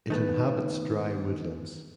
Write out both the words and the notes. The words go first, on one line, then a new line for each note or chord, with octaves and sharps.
It inhabits dry woodlands.
D#3 A3 B3